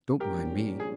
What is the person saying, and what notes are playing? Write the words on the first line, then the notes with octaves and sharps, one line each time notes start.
"Don't mind me."
A#1 G#2 G3 C#4 G4 A#4
G#4